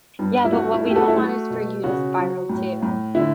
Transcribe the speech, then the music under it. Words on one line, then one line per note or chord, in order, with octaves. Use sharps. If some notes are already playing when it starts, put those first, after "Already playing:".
yeah, but what we don't want is for you to spiral too.
G2
E4
A3 F#4
E4
A3
G4
F#4 A4
E4
A3 F#4
B2
C#3 F#4
F#3
A2
A2
D3 E4